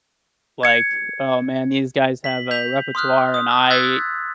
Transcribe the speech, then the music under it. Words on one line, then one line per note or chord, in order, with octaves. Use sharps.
like, "Oh, man, these guys have a repertoire, and I
G#6 C#7
B6 F#7
G6 B6 F7
C6 D#6 F6 F#6
D#6
E6 F#6 G#6 A6 B6